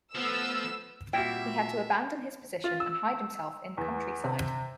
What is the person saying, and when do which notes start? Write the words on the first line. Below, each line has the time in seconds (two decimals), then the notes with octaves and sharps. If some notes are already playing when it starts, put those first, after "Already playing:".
He had to abandon his position and hide himself in countryside.
0.15 F3 A3 B3 E6
1.13 A#2 G3 C4 E4 F#4 E5 G5
2.64 F4
2.80 E6
3.77 E2
4.24 C3